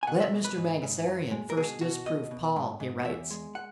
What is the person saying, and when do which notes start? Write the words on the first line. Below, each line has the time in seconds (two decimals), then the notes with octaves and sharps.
"Let Mr. Mangasarian first disprove Paul," he writes.
0.03 G#5
0.07 B2 F#5
0.20 E5
0.32 B2
0.45 B4
0.57 G#2
0.82 G#2
1.07 F#2
1.31 G#3
1.50 A#4
1.56 B2 G#4
1.81 B2 F#4
2.06 B2 D#5
2.31 B2
2.56 G#2
2.80 G#2
3.05 E2 E5
3.30 G#3
3.55 F#5